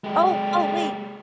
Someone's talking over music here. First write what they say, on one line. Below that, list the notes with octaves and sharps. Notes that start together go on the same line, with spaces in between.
Oh, oh, wait.
G#3 G4